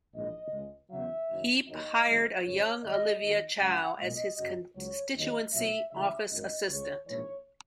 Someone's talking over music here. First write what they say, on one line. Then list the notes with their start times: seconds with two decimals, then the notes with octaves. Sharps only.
Heap hired a young Olivia Chow as his constituency office assistant.
0.14 A#1 G#2 E3 D#5
0.52 C#2 C#3 G#3
0.90 E2 C#3 F#3 E5
1.29 F#1 F#2 D#3 F#3
1.68 D#2 D#3 F#3 D#5
2.06 F#1 F#2 D#3 G#3
2.45 G#1 F#2 C#3 G#3 C#5
2.83 G#1 F#2 D#3 G#3 D#5
3.22 D#2 D#3 F#3
3.60 F#2 C#3 G#3 F#5
3.99 B1 A#2 G#3 D#5
4.38 F#2 C#3 F#3
4.75 C#2 C#3 F#3 C#5
5.14 D#2 D#3 F#3 D#5
5.53 B1 A#2 F#3 E5
5.91 C#2 C#3 E3 G#3 E5
6.30 G#1 F#2 D#3 D#5
6.68 C#2 C#3 G#3 C#5
7.07 A#1 G#2 E3 C#5